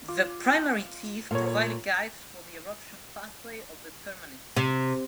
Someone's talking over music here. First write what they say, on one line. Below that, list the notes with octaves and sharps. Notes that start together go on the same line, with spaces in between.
The primary teeth provide guides for the eruption pathway of the permanent teeth.
F4 D6
A#2 A4 C#5 F5
C3